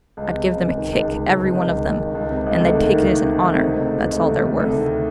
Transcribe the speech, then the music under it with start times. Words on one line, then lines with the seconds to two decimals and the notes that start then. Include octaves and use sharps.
"I'd give them a kick, every one of them, and they'd take it as an honor--that's all they're worth!"
0.17 C#2
0.33 C3
0.47 C#2
0.63 C#2
0.78 D#3
0.93 C#2
1.08 C#2
1.23 C3
1.39 C#2
1.55 C#2
1.70 D#3
1.84 C#2
2.00 D#3
2.15 C#2
2.30 C3
2.46 C#2
2.60 D2
2.77 D#3
2.91 D#3
3.07 D#3
3.21 C3
3.37 D#3
3.52 C3
3.67 D2
3.82 C3
3.98 C3
4.13 D2
4.29 C3
4.44 D2
4.59 D2
4.73 D#3